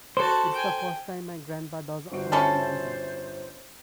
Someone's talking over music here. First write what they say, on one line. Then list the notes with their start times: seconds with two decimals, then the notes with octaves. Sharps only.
It's the first time my grandpa does online banking.
0.17 F#4 A4 C5 A5
0.54 G5 G#5
2.12 G1 F#4 C5 D7
2.32 C#4 E4 A4